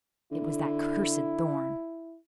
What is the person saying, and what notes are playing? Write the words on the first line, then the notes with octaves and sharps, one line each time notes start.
"It was that cursed Thorn."
D3 E4